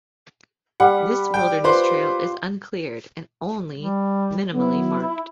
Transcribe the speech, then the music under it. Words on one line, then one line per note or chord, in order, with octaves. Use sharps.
This wilderness trail is uncleared and only minimally marked.
G3 F#5
G5
F4 B4 C5 D6
G3
F#3 B3 E4